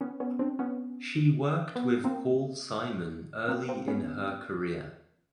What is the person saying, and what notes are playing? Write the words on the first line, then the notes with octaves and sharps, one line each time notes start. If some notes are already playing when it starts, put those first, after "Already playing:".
She worked with Paul Simon early in her career.
B3 C#4
B3 C#4
C4 D4
B3 C#4
B3
A#3 C4
A#3 C4
A#3 C4
B3 C#4